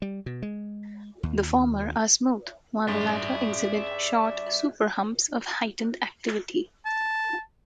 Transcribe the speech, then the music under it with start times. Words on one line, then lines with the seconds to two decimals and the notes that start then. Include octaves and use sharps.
The former are smooth, while the latter exhibit short "superhumps" of heightened activity.
0.02 G3
0.26 B2
0.42 G#3
1.23 D#2
2.88 G2 G#4 D5 E5 C6 A6
6.85 A5